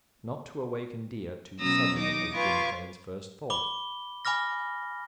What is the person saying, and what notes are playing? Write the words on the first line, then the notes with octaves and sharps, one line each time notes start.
Not to awaken Dea too suddenly was Gwynplaine's first thought.
B2 F#3 C#4 A#5 D#6 E6
D#4 D#5 D6 D#6
F4 B4 G#5 C#6 D6
B5 D6 G7
G#5 B5 D6 F6 A#6